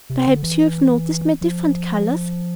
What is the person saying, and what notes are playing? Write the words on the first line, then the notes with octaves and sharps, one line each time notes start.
Perhaps you've noticed my different colors.
C3
D3
E3
F3